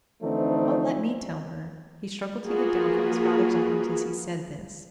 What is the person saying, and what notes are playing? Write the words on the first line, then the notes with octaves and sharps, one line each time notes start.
"Oh, let me tell her!" He struggled to get down from his father's arms as he said this.
D3 E3 F3 A3 C4 D#4
A#3 F4 F#4 G#4 A#4 B4